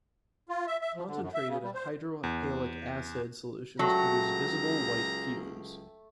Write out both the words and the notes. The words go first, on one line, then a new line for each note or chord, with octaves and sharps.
Concentrated hydrohalic acid solutions produce visible white fumes.
F4
E5
E5
F3
D3
F#2
E5
C#3
G3
C5
E2
C#2 F#3 A3 G5 A#5